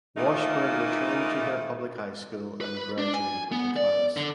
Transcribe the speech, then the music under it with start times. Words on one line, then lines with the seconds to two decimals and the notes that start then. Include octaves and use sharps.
Washburn returned to her public high school and graduated with her class.
0.17 D#3 E3 A3 A#3 D#4 F4
2.61 B4
2.98 D4
3.14 G#5
3.52 B3
3.76 D5
4.17 D3